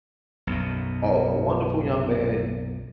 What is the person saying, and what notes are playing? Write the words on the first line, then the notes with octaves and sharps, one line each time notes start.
uh, a wonderful young man,
B1 F#2 B2